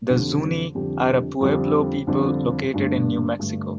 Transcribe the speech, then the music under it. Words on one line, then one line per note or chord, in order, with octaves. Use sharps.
The Zuni are a Pueblo people located in New Mexico.
F2 D3 G3 D4 G4
F2 D3 G3 D4 G4
F2 D3 G3 D4 G4
F2 D3 G3 D4 G4
G2 D3 A3 D4
G2 D3 A3 D4